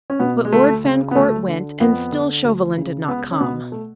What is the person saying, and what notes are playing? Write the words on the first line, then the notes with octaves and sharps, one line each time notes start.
But Lord Fancourt went, and still Chauvelin did not come.
C#4
B2 B3
G#3
D2 A3
C#3
B3
D2 A3
D3
F2 B3
D3
D2
C#3
C#2 B3
C#4
B2 B3
A3